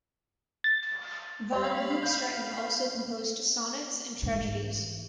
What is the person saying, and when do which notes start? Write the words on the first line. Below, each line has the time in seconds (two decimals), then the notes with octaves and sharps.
Van Hoogstraten also composed sonnets and tragedies.
0.64 A6
1.52 G3 C#5 F5 B5
2.02 G6
4.22 G#2 E3